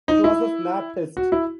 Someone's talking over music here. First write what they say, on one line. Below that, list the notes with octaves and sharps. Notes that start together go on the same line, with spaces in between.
It was a snap test.
D#4
E4
F#4
E4